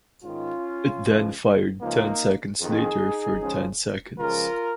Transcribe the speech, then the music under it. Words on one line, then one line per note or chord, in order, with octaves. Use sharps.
It then fired ten seconds later for ten seconds.
G#2 D#3 C#4 F4
C#2 C#3 F3
C#2 C#3 F3 A#3 D#4
F2 D#3 D#4 G#4
C#2 C#3 F3
C#2 C#3 F3 F4 A#4